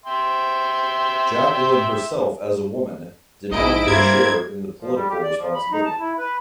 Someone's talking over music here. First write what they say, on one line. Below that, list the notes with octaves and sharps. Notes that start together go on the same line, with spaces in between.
Jacqueline herself as a woman, did not get a share in the political responsibility.
E5 G5 C6
A#1 G#2 E4 D#5 D7
G2 A#3 C4 G#6
F3
G3
G4
D5
F3
B5
D#4
A5
E4
B4